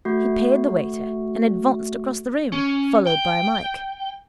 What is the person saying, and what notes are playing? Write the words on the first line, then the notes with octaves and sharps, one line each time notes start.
He paid the waiter, and advanced across the room, followed by Mike.
A3 F#4
C#4
G5